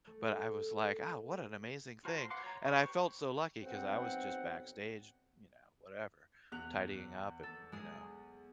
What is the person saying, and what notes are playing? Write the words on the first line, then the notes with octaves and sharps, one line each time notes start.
but I was like, "Ah, what an amazing thing," and I felt so lucky 'cause I was just backstage, you know, whatever, tidying up and, you know,
A3
F4 F#4 C5 A5 A#5
C6
B4 F5 F#5 C6 D6
C#5 A#5
G4 B4 C#6
B4 C5 G5 C#6
B1 C4 F#5
E2 F#6 F7
A4
G#3 G#4